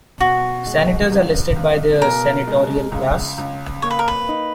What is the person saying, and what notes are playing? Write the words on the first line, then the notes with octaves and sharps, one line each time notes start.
Senators are listed by their Senatorial Class.
B2 F#4
G#3
C#2
C#2
B2 A#4
G#3
C#2
C#2
A#3 C#5
B4
A#4
B4
D#4